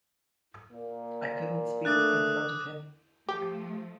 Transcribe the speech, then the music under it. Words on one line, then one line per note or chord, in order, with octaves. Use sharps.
I couldn't speak in front of him.
A#2 A#3
A3 D4 D6 D#6 F#6 A6
F3 A3 G4